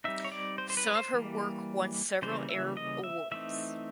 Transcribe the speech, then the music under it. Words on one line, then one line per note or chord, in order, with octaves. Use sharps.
Some of her work won several Arab awards.
G3 C4 D#4 E5
C#5
D5
C5
C5
B4
C5
E3 G3 A#3
C#3 E3 G3 A#3 C5
E5
D#5
E5
E3 A3 C4 D#4 E5